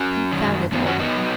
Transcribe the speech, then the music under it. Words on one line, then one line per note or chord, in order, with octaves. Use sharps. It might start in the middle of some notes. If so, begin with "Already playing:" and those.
Confound it all!
Already playing: C#4 F#4
F#2 D#3 F#3
F#2 D#3 F#3 B3 D#4
C#4 F#4
B3 D#4
F#3